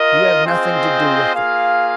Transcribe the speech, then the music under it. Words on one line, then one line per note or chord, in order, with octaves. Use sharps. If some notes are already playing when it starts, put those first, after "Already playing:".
You have nothing to do with it.
Already playing: F4 A#4 D#5
C4 F4 G#4 C5 D#5
A#3 F4 G#4 F5